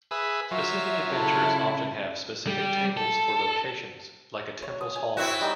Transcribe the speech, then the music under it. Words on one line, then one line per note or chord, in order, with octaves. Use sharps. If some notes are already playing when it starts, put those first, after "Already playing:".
Specific adventures often have specific tables for locations, like a temple's hallways.
G#4 B4 E5
F#3 F4 E5
C#3 E4 A4
G3 G4
A4
C#5
D#6
G#5
C4 E4 F#4
G3 D#4 D#6